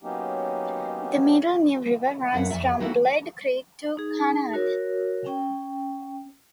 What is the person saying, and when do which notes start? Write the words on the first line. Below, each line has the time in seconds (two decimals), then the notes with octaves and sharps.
The Middle New river runs from Glade Creek to Cunard.
0.03 F#3 A#3 B3 C#4 D#4 G4
2.34 F#2 B4 F5 F#5
2.50 F2 D5 E5
2.80 A#3 B3 D#4 E4 F#4 A4
3.97 D#4 G#4
4.54 F#4 A#4 C#5
5.26 C#4 G5